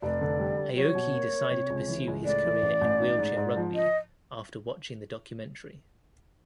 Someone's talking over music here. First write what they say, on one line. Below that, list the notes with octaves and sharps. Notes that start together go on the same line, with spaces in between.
Aoki decided to pursue his career in wheelchair rugby after watching the documentary.
F1 D5
D3
G3
G3
F#3 C#5
B2
A#3
A#3
C3
C#2
E3
C#2
A2 D5
E3
A1
A1
D#4
G#2
G#2
F3
D#5